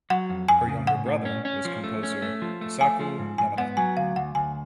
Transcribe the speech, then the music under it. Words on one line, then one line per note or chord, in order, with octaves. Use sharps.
Her younger brother was composer Kosaku Yamada.
F#3 F#5
F2
F2 G#5
C#3
A2 F#5
A2
C#4
C#4
F3
A3
C#4
A3
F3
A3
A3 G#5
F3
G#2
G#2 G#5
B3 F#5
F#3 G#5
D2 F5
D2 F#5
D2 G#5